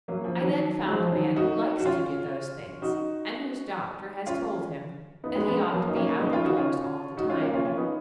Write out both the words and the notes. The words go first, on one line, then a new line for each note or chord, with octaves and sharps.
I then found a man who likes to do those things and whose doctor has told him that he ought to be out of doors all the time.
F#3 A#3
F3
D#3 F#3
F3 G#3
F3
D#3 F#3
D#4 F#4
F#4
C#4 F4
D#4 F#4
C#4 F4
B3 D#4
G#3 B3
G#3 B3
F#3 A#3
D#4
A#3 C#4
B3 D#4
C#4 F4
D#4 F#4
C#4 F4
D#4 F#4
C#4 F4
A#3 C#4
C#4 F4
C#4 F4
B3 D#4